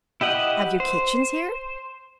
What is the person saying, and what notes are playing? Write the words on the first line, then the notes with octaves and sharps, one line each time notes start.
"Have you kitchens here?"
E4 G4 D#5 F#5
C5